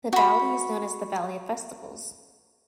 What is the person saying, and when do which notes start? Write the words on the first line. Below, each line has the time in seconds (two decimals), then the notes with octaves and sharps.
The Valley is known as "The Valley of Festivals".
0.13 F#4 B5